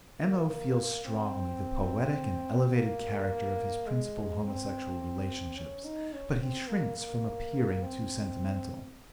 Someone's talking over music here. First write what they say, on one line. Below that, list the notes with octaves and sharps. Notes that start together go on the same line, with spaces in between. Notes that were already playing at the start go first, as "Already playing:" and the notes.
M.O. feels strongly the poetic and elevated character of his principal homosexual relationships, but he shrinks from appearing too sentimental.
A#3
C4
A#3
G#3
C4
C#4
D#4
C#4
C4
A#3
A#3
C4